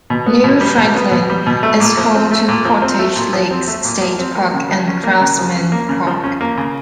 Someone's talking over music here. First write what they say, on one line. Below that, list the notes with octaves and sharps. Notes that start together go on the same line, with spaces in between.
New Franklin is home to Portage Lakes State Park and Craftsmen Park.
B2
B3
B2
G3
B2
B3
B2
G3
B2
A3
A#2
F3
C4
A3
A#2
F3
C4
A3
A#2
F3
C4
A3
A#2
F3
C4
A#3
C#3
F3
C#4
A#3
C#3
F3
C#4
A#3
C#3
F3
C#4
A#3
C#3